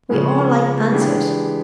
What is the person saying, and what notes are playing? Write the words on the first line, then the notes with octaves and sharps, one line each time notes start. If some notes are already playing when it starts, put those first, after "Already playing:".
We all like answers.
C#3 F3 G#3 B3
E3 G#3 B3 D4 G4